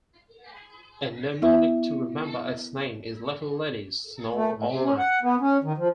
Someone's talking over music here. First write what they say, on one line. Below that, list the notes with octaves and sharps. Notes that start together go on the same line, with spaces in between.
A mnemonic to remember its name is, Little Ladies Snore All Night.
B3 E4 E5
A3
A2
C3
C#4
F#5
B3
C#4
D#3
F3